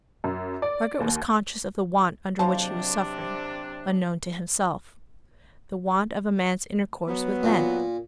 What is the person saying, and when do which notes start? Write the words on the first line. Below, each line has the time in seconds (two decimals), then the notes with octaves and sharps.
Margaret was conscious of the want under which he was suffering, unknown to himself; the want of a man's intercourse with men.
0.24 F#2
0.62 D5
1.00 D#2
2.39 D#2 C3 F#3 D4 C5 F5 A5
7.07 F#3 B3
7.43 A#2